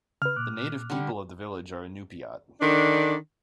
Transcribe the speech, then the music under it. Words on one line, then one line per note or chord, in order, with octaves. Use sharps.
The native people of the village are Inupiat.
C#3 B4 F6
A#2 D6 F#6
D3 G3
D3 D#3 D4